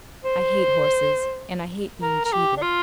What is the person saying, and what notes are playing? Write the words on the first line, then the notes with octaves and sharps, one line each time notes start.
"I hate horses, and I hate being cheated."
C5
A#4
A#4
G4
D4
F4